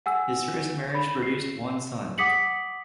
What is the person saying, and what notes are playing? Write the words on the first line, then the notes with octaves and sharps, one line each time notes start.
His first marriage produced one son.
F#5 G#5 E6
B5
C7
F#5 D6 D#6 B6 C#7 F#7